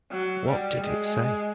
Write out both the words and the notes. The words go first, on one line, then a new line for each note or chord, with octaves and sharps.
What did it say?
F#3
G3
G#3